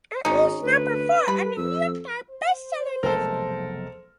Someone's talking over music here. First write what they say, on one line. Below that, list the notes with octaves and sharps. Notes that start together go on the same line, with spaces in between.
It reached number four on the "New York Times" Best Seller list.
G#1 C#4 D#4
D2 B4
G3 B5
F2 E6
C5
F1 B1 G#3 A4 A#4